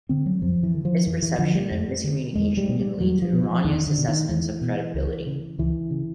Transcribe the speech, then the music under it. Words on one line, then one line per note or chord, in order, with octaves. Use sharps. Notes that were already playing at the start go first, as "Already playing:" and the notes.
Misperception and miscommunication can lead to erroneous assessments of credibility.
D3 C4
F#3
F2 F3
E3
D3
F3
F2 E3
E3
D3 F3
G3
F2
D3
E2 G#3
G3
B2
G3
E2 F#3
F3
B2
F3
E2 D#3
D3
B2
D#3
E2 E3
B2
C#2
C#3
C#2 E3
C#3